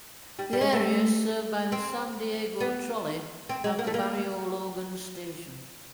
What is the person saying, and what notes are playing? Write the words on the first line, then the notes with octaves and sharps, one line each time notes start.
The area is served by the San Diego Trolley at the Barrio Logan station.
G3
G3
G#3
A3
C4
B3
C4
G#3
A#3
A3
A#3